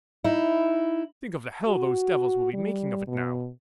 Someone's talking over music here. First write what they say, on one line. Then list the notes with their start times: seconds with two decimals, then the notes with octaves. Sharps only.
Think of the hell those devils will be making of it now!
0.24 D#4 E4
1.68 F#4
2.54 G3
3.07 B2